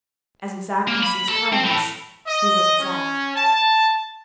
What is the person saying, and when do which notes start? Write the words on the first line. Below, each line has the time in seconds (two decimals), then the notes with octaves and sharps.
As exactness is kindness, he was exact.
0.88 A#3
1.03 B5
1.29 A4
1.52 C4
1.65 A2
2.27 D#5
2.79 C#4
3.35 A5